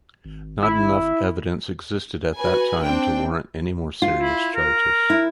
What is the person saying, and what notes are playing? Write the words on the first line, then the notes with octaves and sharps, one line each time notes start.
Not enough evidence existed at that time to warrant any more serious charges.
G#1
E4
F#4 B4 G#5
C4 D4 G5
F4
E4
A#4
E4